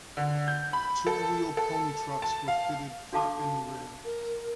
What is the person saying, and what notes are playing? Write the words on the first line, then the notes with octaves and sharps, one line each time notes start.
Two-wheel pony trucks were fitted front and rear.
D3
G6
B5
A4
A4
A5
F5
D4 F#4 A4 F5 A5 D6
A#4